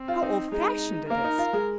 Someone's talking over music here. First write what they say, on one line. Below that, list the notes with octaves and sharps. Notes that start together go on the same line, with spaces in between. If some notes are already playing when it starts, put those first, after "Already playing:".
How old-fashioned it is!
Already playing: C4
F4
D#4
G#3 D#4
A#3 A#4
D#4
F4
G#3